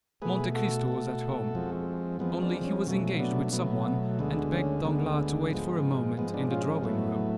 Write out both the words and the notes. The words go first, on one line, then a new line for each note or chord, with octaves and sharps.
Monte Cristo was at home; only he was engaged with some one and begged Danglars to wait for a moment in the drawing-room.
B2 A3 G#4 B4
F#4 A4
B2 A3
F2 F3 G#3
F2 F3 G#3 B3
B3 D4
C#4
B2 F#3 A3 C#4
B3 D4
B2 F#3 A3 B3
D2 D3 G#3 B3
C#4
D2 D3 G#3 B3
G#2 F3 G#3 B3
G#2 F3 G#3 B3
B3 D4
C#4 F4
C#4
A2 F#3 A3 B3